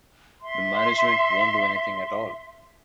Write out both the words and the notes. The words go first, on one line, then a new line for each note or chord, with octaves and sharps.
The management won’t do anything at all.
E5 C6